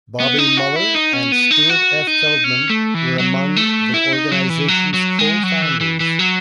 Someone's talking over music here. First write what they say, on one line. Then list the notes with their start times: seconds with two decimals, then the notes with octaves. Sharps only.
Bobby Muller and Stuart F. Feldman were among the organization's co-founders.
0.20 B3
0.39 D#4
0.57 F#4
0.76 E4
0.95 D#4
1.13 C#4
1.32 B3
1.51 D#4
1.69 F#4
2.07 D#4
2.44 C#4
2.70 A3
2.94 E3
3.19 F#3
3.56 A3
3.94 E4
4.13 D#4
4.31 F#3
4.50 E3
4.68 F#3
4.94 F#3
5.19 G#3
5.43 F#3
5.62 E3
5.81 E3
6.00 E3
6.19 F#3